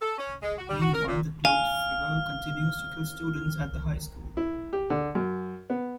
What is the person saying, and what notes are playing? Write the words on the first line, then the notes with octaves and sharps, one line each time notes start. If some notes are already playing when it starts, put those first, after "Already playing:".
Meanwhile, the cloaked figure continues to kill students at the high school.
A4
C#4
G#3
F#4
G3
F#4
A#4
A#2
F5 G#5 F6
E4
G4
D3
F#2
B3